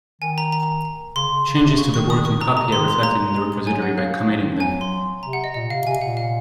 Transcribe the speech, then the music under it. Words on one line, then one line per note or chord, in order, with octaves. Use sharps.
Changes to the working copy are reflected in the repository by "committing" them.
D#3 G#5
A#5
A#5
C#3 C6
C#3
C#3
C3
C#3 C#6
D#3 C#6
D#6
C#6
A#2 A#5
C3
A#5
C#3
D#3 C6
G#3 C6
A#3 A#5
G#3
G#3
G#3
F#3 G#5
F#5
F5
F#3
D#3
F3
F#3 G#5
C6
C3 A#5
F#5
D#5
A#2 D#5
C3 F5
C3 G#5
A#2 F#5
F5